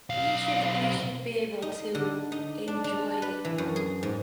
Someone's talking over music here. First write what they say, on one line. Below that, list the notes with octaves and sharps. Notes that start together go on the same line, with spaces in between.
you should you should be able to enjoy
B1 F5
D#4
D3
D#4
D4
D4
B4
E3
F#2
G#4
G#2